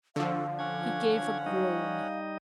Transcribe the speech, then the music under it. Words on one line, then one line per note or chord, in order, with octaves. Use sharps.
He gave a groan.
D3 F3 C4 F#4 A4 F5
C#4 D4 C#5 F#5 G#6
G3 D#4 D#5